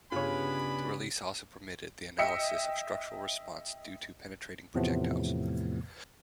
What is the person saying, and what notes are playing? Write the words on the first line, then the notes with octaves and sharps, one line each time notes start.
The release also permitted the analysis of structural response due to penetrating projectiles.
G2 C#3 B3 D4 F4 C#5 G#5 B5
D#5 E5 G5 C#7
E2 A2 C3 F3 A3 B3